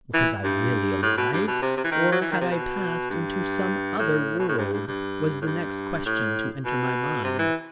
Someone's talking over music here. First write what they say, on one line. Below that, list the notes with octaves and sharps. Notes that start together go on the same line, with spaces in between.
Was I really alive or had I passed into some other world, was the next question to enter my mind.
E3
G2
A2
B2
G2
B2
C3
C3
E3
D#3
F#3
E3
D#3
C3
B2
G2
A2
B2
A2
G2
G2
G2
A2
G2
A2
B2
C3
E3